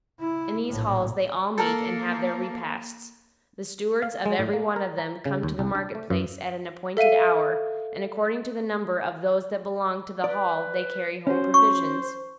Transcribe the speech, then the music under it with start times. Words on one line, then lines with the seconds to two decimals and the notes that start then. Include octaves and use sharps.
In these halls they all meet and have their repasts; the stewards of every one of them come to the market-place at an appointed hour, and according to the number of those that belong to the hall they carry home provisions.
0.20 E4
0.67 A#1 A2
1.58 A#3 A4 A#4
4.02 F5
4.26 G#3
4.39 A2
4.53 A#3
4.76 A#4
4.98 A#5
5.26 C#3
5.43 D#2
5.59 C2
5.75 D4
5.95 A3
6.10 F#2
6.97 A4 E5 F5 D#7
10.24 B4 D5
11.27 C#4 F#4 C5
11.54 C#6